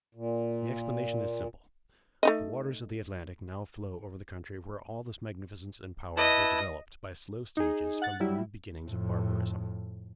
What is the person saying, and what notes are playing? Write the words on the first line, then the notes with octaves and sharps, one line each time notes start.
The explanation is simple: the waters of the Atlantic now flow over the country where all this magnificence and power were developed by slow stages from the rude beginnings of barbarism.
A#2
A3 D#4 D#5
E4 B4 D#5 A5
D#4 G#4
F#5 F#6 A6
F#3 G3 E4
F2 A2